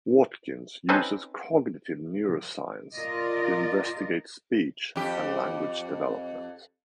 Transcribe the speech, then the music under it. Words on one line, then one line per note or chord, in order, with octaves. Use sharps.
Watkins uses cognitive neuroscience to investigate speech and language development.
C4 C#4 D#4 A4 B4 C5
F4 A#4 D5 D#5
F2 G4